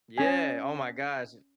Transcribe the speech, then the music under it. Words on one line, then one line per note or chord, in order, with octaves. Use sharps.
Yeah! Oh, my gosh.
C#4 G#5